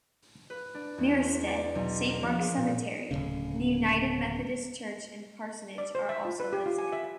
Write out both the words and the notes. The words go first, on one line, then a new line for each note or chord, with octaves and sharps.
Merestead, Saint Mark's Cemetery, and the United Methodist Church and Parsonage are also listed.
B4
D4
E2
D5
B1
A#4
F3
G#4
A#2
D1 G#1 C#3
D5
C5
E5
F4
B4
G4
F4
G#5
E5
E5